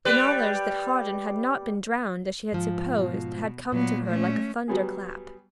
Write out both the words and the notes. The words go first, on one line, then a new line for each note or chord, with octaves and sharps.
The knowledge that Hawdon had not been drowned as she had supposed, had come to her like a thunderclap.
G3 B4
G#2 F3
B2
A#2 F#3 B3
A3 C#4
F#3 G3 B3 G#4